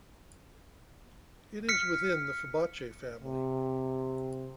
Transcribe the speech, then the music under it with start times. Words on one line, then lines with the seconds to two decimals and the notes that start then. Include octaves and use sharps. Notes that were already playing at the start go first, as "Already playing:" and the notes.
It is within the Fabaceae family.
1.69 F6 B6 C#7
3.23 C3